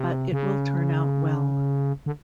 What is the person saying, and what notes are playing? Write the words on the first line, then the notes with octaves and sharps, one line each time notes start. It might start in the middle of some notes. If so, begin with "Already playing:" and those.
But it will turn out well.
Already playing: C3
C#3
D3